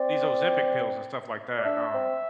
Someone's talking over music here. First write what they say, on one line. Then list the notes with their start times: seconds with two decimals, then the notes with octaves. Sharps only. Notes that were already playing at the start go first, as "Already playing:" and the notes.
these Ozempic pills and stuff like that, um
Already playing: C4 D5
1.58 D5
1.64 D4 E5
1.94 C4